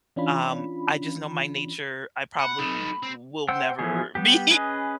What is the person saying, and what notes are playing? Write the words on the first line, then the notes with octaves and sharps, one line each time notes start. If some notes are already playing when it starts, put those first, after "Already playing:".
um, I just know my nature. I probably will never be
E3 C#4 D4 F4 B5
F#5 B5
D#4 A4
C4
C5 F#5 G5 E6
E3 F3 B3 G#4
G3 B3 G4
C#4 G#4 B4 D#5